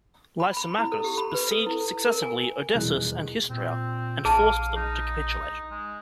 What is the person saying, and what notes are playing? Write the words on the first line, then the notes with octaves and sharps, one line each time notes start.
Lysimachus besieged successively Odessus and Histria and forced them to capitulate.
B5
B5
E4
A4
G4
B5
B4
A4
E4
A#4
G#5
D#1 E2 B2 G#3 F#6
A#2 C4
A#1 G#4 F5 A5
D#4
G#3